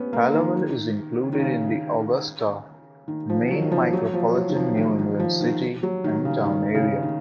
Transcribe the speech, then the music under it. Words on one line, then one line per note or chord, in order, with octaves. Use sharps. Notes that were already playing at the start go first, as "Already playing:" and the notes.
Hallowell is included in the Augusta, Maine micropolitan New England City and Town Area.
Already playing: B3 C#4
A#3
D#3
D#3
C#3
D#3
F3
F#3
D#3
F3
F#3
F3
F#3
D#3
F3
D#3
D#3
F3
D#3
F#3
D#3
C#3
D#3
C#3
D#3